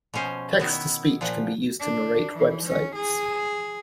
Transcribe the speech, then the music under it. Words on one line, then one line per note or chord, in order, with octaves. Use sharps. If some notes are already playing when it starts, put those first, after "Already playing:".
Text to speech can be used to narrate websites.
B2 F3 C#4 C5
D#3 B3 E4
A#2 F3 B4 F#5
D4
E3
C#4
G#4